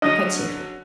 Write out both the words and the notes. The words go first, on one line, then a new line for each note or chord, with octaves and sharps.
"Quite safely."
D3 F#3 C#4 D#5